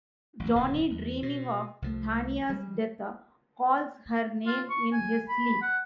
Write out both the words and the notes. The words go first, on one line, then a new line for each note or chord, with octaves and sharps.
Johnny, dreaming of Tanya's death, calls her name in his sleep.
A1 E2
D1 F2 C#3
E2
B2
C2 F3 A3
G3 G#3
F4
C#6
G#5
B5
F#5